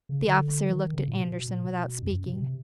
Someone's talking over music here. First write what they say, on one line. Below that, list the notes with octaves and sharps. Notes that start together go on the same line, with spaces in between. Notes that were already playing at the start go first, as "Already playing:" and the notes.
The officer looked at Andersen without speaking.
C#3
D3
E3
D#3
C#3
A#2
B2
B2
A#2
B2
F2
F#2
C3
B2
C3